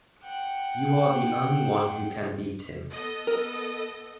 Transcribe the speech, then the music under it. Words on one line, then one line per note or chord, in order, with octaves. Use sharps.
You are the only one who can beat him.
F#5 G5
B3 A4 D#5
A#4